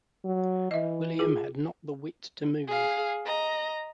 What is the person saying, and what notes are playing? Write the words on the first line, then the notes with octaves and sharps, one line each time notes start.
William had not the wit to move.
F#3
E3 D#5 E5
F4 G#4
G#4 F5
D#5 A#5